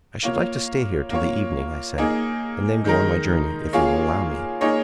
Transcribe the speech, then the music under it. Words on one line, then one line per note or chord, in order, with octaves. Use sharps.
"I should like to stay here till the evening," I said; "and then go on my journey, if you will allow me."
A#3 F4 C#5
A#3 F4 C#5
A#3 D#4 G#4
D#3 G#3 D#4 A#4
A#3 F4 G#4 C#5
A#3 D#4 G#4 C#5